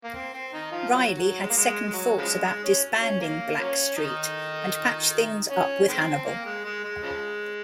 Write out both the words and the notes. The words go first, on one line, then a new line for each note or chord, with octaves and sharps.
Riley had second thoughts about disbanding Blackstreet, and patched things up with Hannibal.
A#3
C4
C4
D#3 D#4
F3 F4
F#3
F#3
G#3
A#3
G#3
G#3
G#3
F#3
C#3 F3 G#3
G#3
C#4
C#4
A#3
F#3 A#3 C#4
D#3 D#4
C#4
D#3 G#3 C4
A#3
G#3
G#3
G#3
C#3 F3 G#3